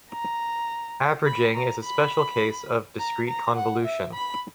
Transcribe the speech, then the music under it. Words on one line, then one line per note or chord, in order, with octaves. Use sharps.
Averaging is a special case of discrete convolution.
A#5
B5
A#5
B5
A#5
A#5
F#5
E5
B5